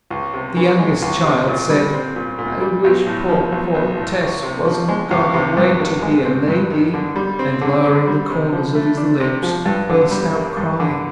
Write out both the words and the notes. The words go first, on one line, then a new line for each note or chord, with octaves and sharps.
The youngest child said, "I wish poor, poor Tess wasn't gone away to be a lady!" and, lowering the corners of his lips, burst out crying.
C#2
C3
E3
G#3
C#2
C3
A#2
G3
C4
A#2
A#2
G3
B1
A2
F3
B1
B1
A2
C#2
C3
F3
G#3
C#2
C3
G2
D#3
G#3
C4
G2
D#3
D3
G3
C4
D3
D3
G3
C3
F3
A3
D4
C3
F3
G2
D3
G3
A#3
G2
D3